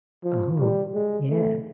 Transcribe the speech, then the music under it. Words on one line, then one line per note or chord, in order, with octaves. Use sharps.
Oh, yeah.
F3
G3
G#3
A3